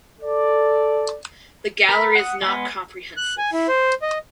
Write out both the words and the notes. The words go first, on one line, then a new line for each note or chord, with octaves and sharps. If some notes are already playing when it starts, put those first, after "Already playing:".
The gallery is not comprehensive.
A4 D5
A#4 B5
F#5 D#6
G#3 B3
F#6
G#5
E4
C5
D#5